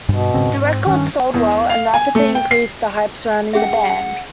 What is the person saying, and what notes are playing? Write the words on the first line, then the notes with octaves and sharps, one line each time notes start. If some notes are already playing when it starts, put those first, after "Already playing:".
The record sold well and rapidly increased the hype surrounding the band.
G2 B2
G#2 C#3 C4
G#2
C4
G2 D#3 C#4
E2
F5
G#5
A3
G5
C7
C#4 G#4 E5 F#5